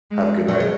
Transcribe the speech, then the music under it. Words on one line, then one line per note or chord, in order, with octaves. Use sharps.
Have a good night.
G#3
F#3
G#3